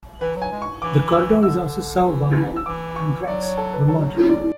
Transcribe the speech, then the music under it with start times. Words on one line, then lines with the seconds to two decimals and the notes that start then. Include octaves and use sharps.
The corridor is also served by Amtrak's Vermonter.
0.20 E3 B4
0.36 F#3
0.42 G#5
0.52 G#3
0.62 C#6
0.82 E3 D6
1.13 E6
1.43 D3 E6
2.04 E3
2.56 E6
2.66 E3 D6
2.96 C#6
3.28 F#3 D5
3.43 C#5
3.57 A4
3.73 B4
3.88 F#3 A4
4.29 D5